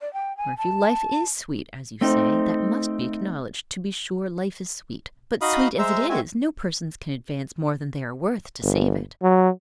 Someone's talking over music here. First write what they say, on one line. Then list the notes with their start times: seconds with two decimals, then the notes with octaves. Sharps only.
Murphy, life is sweet, as you say, that must be acknowledged; to be sure, life is sweet; but, sweet as it is, no persons can advance more than they are worth to save it.
0.01 D5
0.13 G5
0.37 G#5
0.58 A5
2.01 A3 C4 D#4
5.41 D#4 F#4 D#5 F5 B5 D#6
5.79 G#3 C5 E5 A#5 E6
6.09 G#3 C4 F#4 E5 G#5
8.63 G1
9.22 F#3